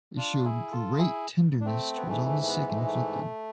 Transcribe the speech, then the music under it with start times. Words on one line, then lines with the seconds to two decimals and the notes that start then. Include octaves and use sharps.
They showed great tenderness towards all the sick and afflicted.
0.17 D4 F4
0.44 E4 G#4
0.71 F4 A4
0.98 E4 G#4
1.61 D4
1.65 A3 C4
1.96 B3
2.06 G#2 E3 A3
2.27 A3
2.42 A3
2.47 G#3 B3
2.67 A3
2.76 G#3
2.86 A3